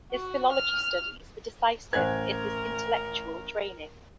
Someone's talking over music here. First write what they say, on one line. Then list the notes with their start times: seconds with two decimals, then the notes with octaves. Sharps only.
His philology studies were decisive in his intellectual training.
0.12 F#4
0.52 F6
1.93 A1 A#4 C5 F#5 G#5 F#6 G#6